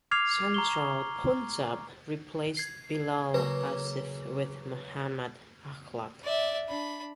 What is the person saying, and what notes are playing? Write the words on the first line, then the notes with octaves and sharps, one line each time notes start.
Central Punjab replaced Bilal Asif with Muhammad Akhlaq.
D6 F6 G#6 C7 F7
A#5 C#6 G7
G#6 C7
C#3 F#3 A#3 B4
D5 E5
D4 B5